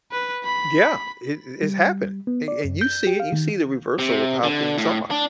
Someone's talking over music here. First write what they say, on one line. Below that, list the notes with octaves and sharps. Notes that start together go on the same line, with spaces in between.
Yeah, it it's happening, and and you see you see the reversal of how things are,
B4
B5
G3
B3
D5
F#2
G6
G4
F5
D#3
C3
D3
A2
D4